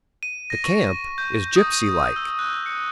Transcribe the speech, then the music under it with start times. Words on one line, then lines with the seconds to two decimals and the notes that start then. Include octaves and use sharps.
The camp is gypsy-like.
0.23 D#7
0.50 A#6
0.64 C#6
1.18 G6
1.56 D#6
1.72 D#7
2.16 E6
2.39 F#6
2.66 C#7